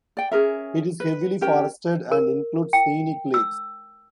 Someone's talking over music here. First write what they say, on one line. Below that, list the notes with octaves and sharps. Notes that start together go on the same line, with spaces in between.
It is heavily forested and includes scenic lakes.
D5 G5
C#4 G#4 A#4 E5
B4
C#4 G4 A#4 G5
A#4
G5
E6